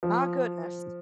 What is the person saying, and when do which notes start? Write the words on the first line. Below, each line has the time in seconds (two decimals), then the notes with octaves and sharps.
Ah, goodness.
0.03 F3